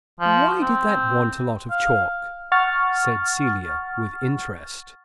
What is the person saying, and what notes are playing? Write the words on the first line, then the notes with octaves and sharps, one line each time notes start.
"Why did that want a lot of chalk?" said Celia with interest.
F3
C4
F5
F#5 C#6 F6 A6